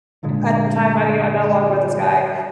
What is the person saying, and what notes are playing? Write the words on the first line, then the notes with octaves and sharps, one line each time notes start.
at the time, minding you, I'm no longer with this guy,
G1 A#2 D3 G#3